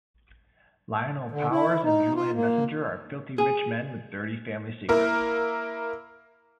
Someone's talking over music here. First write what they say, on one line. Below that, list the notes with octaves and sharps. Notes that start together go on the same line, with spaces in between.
Lionel Powers and Julian Messenger are filthy rich men with dirty family secrets.
D3
E4
D#4
F4
A#3
G#4
A#3 E4 A#4